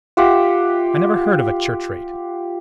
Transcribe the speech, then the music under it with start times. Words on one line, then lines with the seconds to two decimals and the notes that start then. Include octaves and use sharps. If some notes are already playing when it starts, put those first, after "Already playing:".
"I never heard of a church-rate."
0.17 F4 G4 E5 F#5